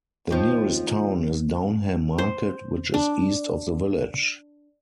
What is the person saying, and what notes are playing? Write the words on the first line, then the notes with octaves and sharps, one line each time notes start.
The nearest town is Downham Market which is east of the village.
D#2 F3
C5
D4